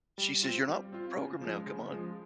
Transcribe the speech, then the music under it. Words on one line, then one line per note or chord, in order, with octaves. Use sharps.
She says, "You're not programmed now, come on.
G3
C4 F4
G3
C4 F4
C#3
F3 G#3
C#3
F3 G#3